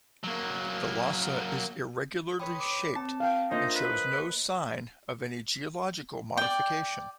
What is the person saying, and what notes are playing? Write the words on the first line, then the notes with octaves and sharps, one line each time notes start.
Thalassa is irregularly shaped and shows no sign of any geological modification.
F#3 A#3
B4 C#5 G5 B5 C6 D#6
D6 B6
C4 A5
F5 G5
A#3 D4 D#4 F4 C5 D#5 E5
B4 D#6
D5 G5